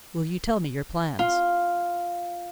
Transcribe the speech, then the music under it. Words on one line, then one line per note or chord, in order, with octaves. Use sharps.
"Will you tell me your plans?"
F4